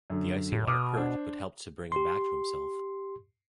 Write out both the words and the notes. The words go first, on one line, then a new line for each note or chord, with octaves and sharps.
The icy water hurt, but helped to bring him back to himself.
F#2 D3
A2
B2 D6 D#6 F6
D4 C5
G4 C6